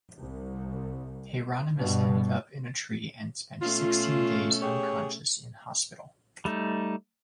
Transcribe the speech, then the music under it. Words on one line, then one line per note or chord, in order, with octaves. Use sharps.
Hieronymus ended up in a tree and spent sixteen days unconscious in hospital.
C2
G2 B2
B2 A3 C#4 F4
G4 G#4 C#5
G3 A3 D#4